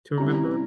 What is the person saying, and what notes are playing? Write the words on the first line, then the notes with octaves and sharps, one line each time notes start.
to remember,
C3 G3 C#4 E4 A#5